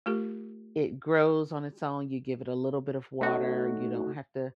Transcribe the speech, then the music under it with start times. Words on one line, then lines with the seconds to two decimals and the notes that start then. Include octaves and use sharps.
it grows on its own, you give it a little bit of water, you don't have to
0.06 A3 F4 G4 A#4
3.21 A3 C#4 D#4 F#4